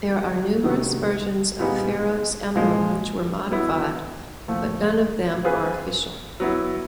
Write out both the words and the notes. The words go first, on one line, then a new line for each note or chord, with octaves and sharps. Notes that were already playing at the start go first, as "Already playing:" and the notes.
There are numerous versions of Ferro’s emblem which were modified, but non of them are official.
C3 D#3 F#3 A3
A#2 G3 B3 D#4 G#4
A#2 F3 G#3
F#3 B3 E4
A#2 F3 A3
C4 F4 G#4 B4
F#3 B3 E4